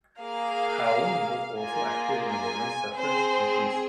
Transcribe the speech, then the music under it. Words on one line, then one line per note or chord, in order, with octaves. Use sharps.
Howland was also active in women's suffrage and peace.
A#3 G#4 F5
A#3 F4 G#4 G#5
G#5
C4 G#4 C5